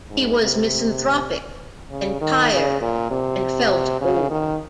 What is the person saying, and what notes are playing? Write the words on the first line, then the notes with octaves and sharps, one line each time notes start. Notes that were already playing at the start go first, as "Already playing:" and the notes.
He was misanthropic and tired and felt old.
G#2
C3
C#3
D#3
C#3
A#2
C3
C#3
D#3